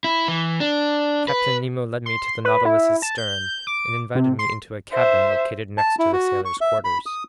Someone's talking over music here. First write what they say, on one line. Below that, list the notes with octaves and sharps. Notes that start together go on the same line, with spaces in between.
Captain Nemo led me to the Nautilus's stern and invited me into a cabin located next to the sailors' quarters.
E4
E3
D4
B4
C6
B4
E4
A5
G6
D6
C3
C6
C5 E5
A5
E4
F#4
C#6
E5
B5
D#6